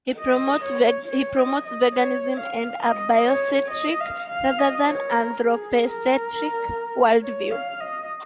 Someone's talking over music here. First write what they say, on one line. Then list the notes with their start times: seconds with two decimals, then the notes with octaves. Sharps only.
He promotes veganism, and a biocentric, rather than anthropocentric, worldview.
0.20 D#5
0.64 C#5
1.08 C#5
1.37 D#5
1.66 D#5
1.95 C#5
2.39 F5
2.83 D#5
3.27 C#5
3.71 D#5
4.00 F5
4.30 F5
4.59 D#5
4.89 C#5
5.17 A#4
5.47 G#4
5.91 A#4
7.23 C#5
7.51 F5
7.80 D#5